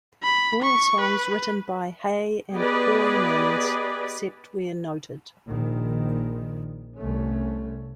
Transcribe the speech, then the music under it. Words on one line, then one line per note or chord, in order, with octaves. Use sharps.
All songs written by Hay and Kooymans except where noted.
B5
C#6
B4
B3 G4 G#4 B4 D5 D#5
A#1 D#3
C2 A3 C#4